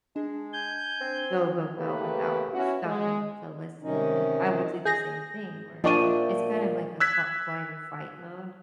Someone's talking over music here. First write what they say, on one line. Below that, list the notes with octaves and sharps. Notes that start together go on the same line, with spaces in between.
go, go, go without stopping to listen, and I will do the same thing where it's kind of like a fal flight or fight mode
G#3 D4
G#5 G6
C4
C#3 A3 A#3 G4 B4
B3 C#4 E4 F#4
G#3
C3 D#3 C#4 D#4
G#4 G6 A#6
A#2 F3 D4 G4 D#5 C#6 D#7
E5 G5
E6 F#6 G#6 B6